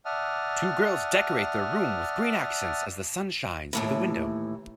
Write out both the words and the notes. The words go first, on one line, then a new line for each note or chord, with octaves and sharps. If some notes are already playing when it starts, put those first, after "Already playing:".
Two girls decorate their room with green accents as the sun shines through the window.
D5 E5 F#5 A5 D#6 F6
D#2 A2 E3